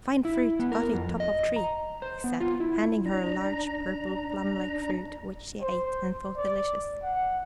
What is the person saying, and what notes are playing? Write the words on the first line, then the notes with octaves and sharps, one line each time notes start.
"Fine fruit, got it top of tree," he said, handing her a large purple, plum-like fruit which she ate and thought delicious.
E4
B3
A#4
F2
D#5
A#5
C5
B3
F4
E4
D4 A#5
C5
D5
F#5